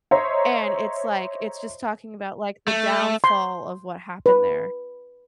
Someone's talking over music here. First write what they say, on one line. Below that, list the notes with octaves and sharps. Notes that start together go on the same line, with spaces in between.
And it's, like it's just talking about, like, the downfall of what happened there.
C5 C#5 D#5 E5 A#5 C6
A3
C6
B4